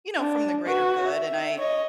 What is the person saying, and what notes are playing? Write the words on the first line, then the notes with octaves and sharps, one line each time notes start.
you know, from the greater good, and I
D4
F#4 B4
E5
C#5 D#5